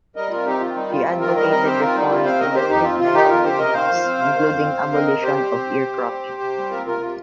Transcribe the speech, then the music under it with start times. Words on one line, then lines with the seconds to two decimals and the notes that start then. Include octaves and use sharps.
He advocated reform in the treatment of criminals, including abolition of ear cropping.
0.16 G3 A#4 D#5
0.31 C3 F4 A#4
0.46 C4 D#4 G4
0.60 D#3 F4
0.75 G3 D#4
0.91 C3 F4
1.06 C4 F4
1.21 D#3 F4 A#4
1.36 G3 A#4 D#5
1.50 C3 A#4 D#5
1.65 C4 G4 C5
1.80 D#3 F4 A#4
1.95 G3 D#4
2.10 C3 F4
2.24 C4 C5 F5
2.39 D#3 A#4 D#5
2.55 D#3 G4 C5
2.69 F2 D#4 G4
2.84 C4 F4
3.00 C3 F4
3.13 D#3 D#4 G4
3.29 F2 F4 A#4
3.43 C4 G4 C5
3.59 C3 A#4 D#5
3.73 D#3 C5 F5
3.88 F2
4.04 C4
4.18 C3
4.33 D#3
4.49 F2
4.62 C4
4.78 C3
4.92 C4 A#4 D#5
5.07 C3
5.22 C3 G4 C5
5.38 G3
5.52 C4
5.67 C3
5.82 C3
5.96 G3
6.11 C4
6.27 C3
6.41 C3
6.57 G3
6.71 C4 F4 A#4
6.86 C3 F4 A#4
7.00 C3 F4